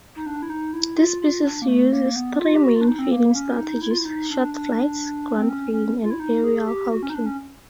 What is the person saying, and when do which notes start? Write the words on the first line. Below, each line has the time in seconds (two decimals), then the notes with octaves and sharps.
This species uses three main feeding strategies: short flights, ground feeding and aerial hawking.
0.16 D#4
0.26 D4
0.43 E4
0.50 D#4
0.73 E4
0.97 F4
1.21 F4
1.44 D4
1.62 A#3
1.68 A3
1.92 A#3
2.15 B3
2.39 F4
2.54 G4
2.63 F#4
2.75 F4
2.81 D4
2.87 D#4
2.99 C4
3.11 A#3
3.35 C#4
3.58 D#4
3.81 E4
3.91 F4
3.98 E4
4.05 D#4
4.30 D4
4.54 D4
5.38 C4
5.49 C#4
5.72 C#4
6.03 F4
6.10 E4
6.20 D#4
6.44 G#4
6.67 G4
6.91 F#4
7.03 C#4
7.10 D#4
7.15 D4
7.26 C#4